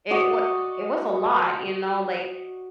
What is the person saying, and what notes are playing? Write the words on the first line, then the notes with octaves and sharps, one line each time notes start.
it wa it was a lot, you know, like,
F#4 D5 D#5 C#6